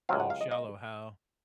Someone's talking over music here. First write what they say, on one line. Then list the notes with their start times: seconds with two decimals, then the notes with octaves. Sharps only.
Oh, Shallow Hal.
0.09 C#2 C3 F#3 C4 F5
0.20 F#5
0.30 F5
0.41 D#5
0.51 D#5